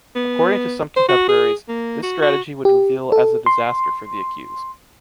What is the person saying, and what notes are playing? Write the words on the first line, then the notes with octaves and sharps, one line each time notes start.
According to some contemporaries, this strategy would reveal as a disaster for the accused.
B3
C5
F#4
G#4
A#3
F#4
F#4
G4
A4
C6